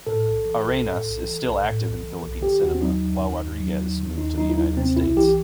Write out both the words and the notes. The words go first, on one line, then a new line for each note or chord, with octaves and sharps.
Arenas is still active in Philippine cinema while Rodriguez moved to the United States.
A2 A4
B1
E3
B1
A2
B1
E3
B1
A2
B1
E3
B1
D#3 G4
D#2 F#4
C4
F#3 D#4
D#2
D#3
D#2
F#3
D#2
D#3
D#2 D#4
F#3 D#4
E4
D#2 D#4
C3 C4
C2 E4
E3 G4